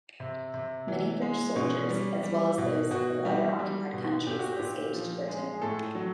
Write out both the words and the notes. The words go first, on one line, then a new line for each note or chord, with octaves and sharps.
Many French soldiers, as well as those of other occupied countries, escaped to Britain.
C3
C3
E3
G#3
B2 C#4
G3
G3
B2
B2 F#4
G3
G3
B2
A#2 G4
F#4
G4
A#2
F3
G#3
G#4
A2 A4
F#3